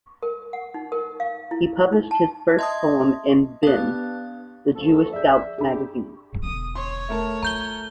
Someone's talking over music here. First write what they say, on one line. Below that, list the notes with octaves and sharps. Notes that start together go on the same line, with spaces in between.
He published his first poem in "Bin", the Jewish scouts magazine.
A#4
F#5
D#4
A#4
F5
E4
D#4
A5
D#5 E5 A5 C6 D#6 G#6
B3 D4 G4 B4 F5
D2 F3 A4
G#4 D5 E5 G6
D4 G4 G#4 B5
E1 D3 D#6
C#5 C6
A3 A#4 A5
F4 A#5 G6 G7